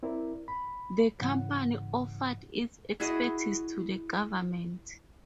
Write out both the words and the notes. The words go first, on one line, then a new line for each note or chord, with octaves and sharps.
The company offered its expertise to the government.
C4 E4 A#4 D5
B5
G#2 C#3 E3 F#5
E4 F#4 G#4 D#5